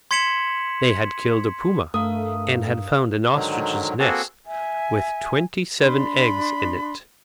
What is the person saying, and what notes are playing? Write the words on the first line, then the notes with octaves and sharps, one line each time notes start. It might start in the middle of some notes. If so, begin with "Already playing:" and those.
They had killed a puma, and had found an ostrich's nest with twenty-seven eggs in it.
C6 G#6 B6 C#7 E7 F#7
G2 A3 A#4 F5 D#6
G#2 D3 D#3 F#3
A#3 C4 F#4 G#4 A4
E5 G#5
D4 B5 C6